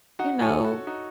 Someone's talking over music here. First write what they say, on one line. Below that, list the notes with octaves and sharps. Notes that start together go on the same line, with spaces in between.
you know,
D#4 F#4 F#5
A4 C#5 G#5
F#4 A4
D#4 F#4